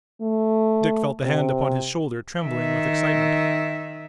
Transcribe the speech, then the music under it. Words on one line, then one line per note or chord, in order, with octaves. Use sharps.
Dick felt the hand upon his shoulder trembling with excitement.
A3
C3
D#3 E5